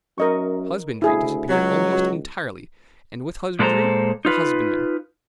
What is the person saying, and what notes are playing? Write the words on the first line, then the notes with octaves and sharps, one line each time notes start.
Husbandry disappeared almost entirely, and with husbandry the husbandman.
F#2 A#4 D#5 C#6
D2 E4 G#4
C#2 F#3
A#2 G#3 A4 B4 C5 A#5
D#4 F4 B4